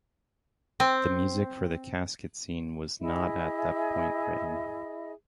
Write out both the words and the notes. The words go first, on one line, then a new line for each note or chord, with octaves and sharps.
The music for the casket scene was not at that point written.
C4
E4 G#4 D#5 E5